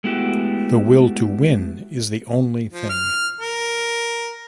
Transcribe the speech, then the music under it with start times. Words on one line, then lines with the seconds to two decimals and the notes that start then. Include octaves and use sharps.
The will to win is the only thing.
0.04 G#3 A3 B3 E4 F#4 G4
2.72 F3
2.89 F6
3.40 A#4